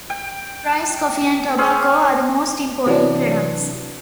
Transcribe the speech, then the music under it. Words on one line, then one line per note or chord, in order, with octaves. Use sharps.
Rice, coffee and tobacco are the most important products.
G5
C4 C#4 G#4
C3 E3 F#3 D4